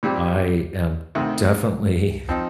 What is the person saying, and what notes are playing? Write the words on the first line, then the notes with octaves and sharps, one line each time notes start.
I am definitely
A#2 G3 C4 G4
D2 C3 D#3
F3 C4 D#4